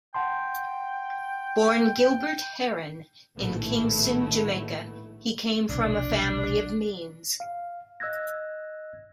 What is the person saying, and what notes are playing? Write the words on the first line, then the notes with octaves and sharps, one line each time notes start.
Born Gilbert Heron in Kingston, Jamaica, he came from a family of means.
F#5 G5 A5 C6
A#1 A2 D#3 A3 B3 E4
F1 B1 B2 D4
F5
D#5 E6 F#6 G#6 A#6